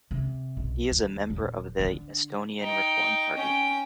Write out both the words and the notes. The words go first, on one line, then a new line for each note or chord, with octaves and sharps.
He is a member of the Estonian Reform Party.
C3
B1
D#2
D#1
D3
D#4 G5
C#4 G5